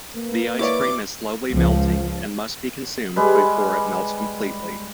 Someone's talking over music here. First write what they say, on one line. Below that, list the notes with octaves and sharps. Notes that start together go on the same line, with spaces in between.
The ice cream is slowly melting, and must be consumed before it melts completely.
A#3 B4
E4 B4 C#5 D5 D6
C#2 F3
G3 G#3 B4